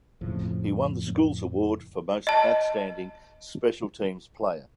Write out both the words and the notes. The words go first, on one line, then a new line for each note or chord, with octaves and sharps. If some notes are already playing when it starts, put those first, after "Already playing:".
He won the school’s award for Most Outstanding Special Teams Player.
F2 A2 C#3 F3
D#5 A5